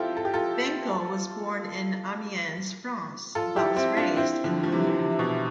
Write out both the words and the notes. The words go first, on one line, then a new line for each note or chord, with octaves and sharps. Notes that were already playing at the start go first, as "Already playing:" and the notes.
Benko was born in Amiens, France, but was raised in Hungary.
Already playing: C4 E4 F4 G4 A4
A4
G4
F4 A4
F4 A4
E4 G4
C4 E4
D4 F4
C4 E4
D3 F3
F3
C3 E3
C3
B2